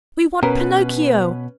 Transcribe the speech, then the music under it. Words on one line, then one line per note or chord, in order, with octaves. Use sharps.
We want Pinocchio!
B2 C#4 A#4 B4